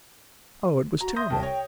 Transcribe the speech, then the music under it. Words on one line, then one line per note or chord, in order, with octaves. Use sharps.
Oh, it was terrible!
F#4 A#5
E5 C6 D#6 G6 A#6
C2 G5 A5
C#5 G5